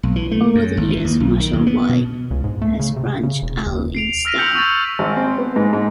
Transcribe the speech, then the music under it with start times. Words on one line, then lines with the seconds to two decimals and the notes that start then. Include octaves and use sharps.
Over the years, Musselwhite has branched out in style.
0.03 B1
0.16 E3
0.31 A3
0.55 F#2
0.77 G#1
0.90 E3
1.05 D#2
1.20 B1
1.40 D#3
1.53 D#2
1.67 B3
1.89 B2
2.31 C#2
2.44 G#2
2.62 A3
2.79 C#3
2.96 C3
3.23 C#3
3.42 E1
3.66 D#2
3.95 C7 D7 F7
4.25 E6 F6 A#6 B6 D#7
4.38 E6 G6 B6 C#7 F7 F#7
4.55 C#6 E6 A6
4.99 G#1
5.17 C4
5.38 B3
5.56 G#2
5.73 G#2